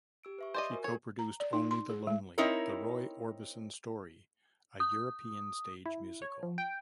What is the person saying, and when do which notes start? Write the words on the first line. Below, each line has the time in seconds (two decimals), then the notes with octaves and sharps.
She co-produced "Only the Lonely: The Roy Orbison Story", a European stage musical.
0.23 G4 E6 D7
0.38 B4 E5 C#6
0.54 C5 D5 D#5
0.71 F#4 A#4 G#5
0.84 A4 C#5 G#6
1.19 A#5
1.40 D5
1.53 D#4
1.71 C6
1.90 G#4
2.07 G#3
2.38 C4 D#4 E4 A#4 C#5
4.80 D#6
5.86 E4
6.22 C#5
6.43 F3
6.58 G5